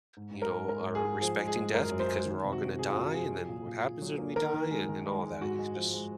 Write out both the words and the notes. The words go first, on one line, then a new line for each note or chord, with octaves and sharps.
you know, are respecting death because we're all gonna die, and then what happens when we die, and and all that, it's just
G#2
G#2
A#4
G#2
G#3 A#4
G#2
G#4
G#2
F3 G#4
G#3
G#4
G#3
F#2 A#4
F#2
C5
G#3
D#3
C3
F#4
C3
C3 G#4
F4
C3 F#4
C3 G#4
F#3
A#2
A#2
A#2
F#3
A#3
D#3 A#4
D#3
G#3
D#3
G#3
G#3
G#2 F#4
G#3
F3
G#3